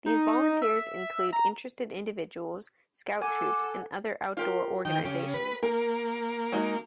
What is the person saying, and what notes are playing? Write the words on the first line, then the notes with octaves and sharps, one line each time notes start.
These volunteers include interested individuals, scout troops, and other outdoor organizations.
D#4
E5
A#5
A4 F#5 G#5 D6
F4 G4 A#4
D#3 G5
C#3 G4
B4
A#3 A#4
G#3 D#4 F#4